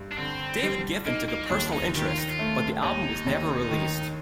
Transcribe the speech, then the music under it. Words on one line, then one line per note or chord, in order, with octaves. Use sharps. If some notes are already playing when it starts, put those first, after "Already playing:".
David Geffen took a personal interest, but the album was never released.
Already playing: G2
D4
D3 C4
G3
A#3 D#4
A#3
C4
D#2 D4
D#4
D#3 G4
F4
D#4
F4
A3
D#2 D#4
D#2
D#3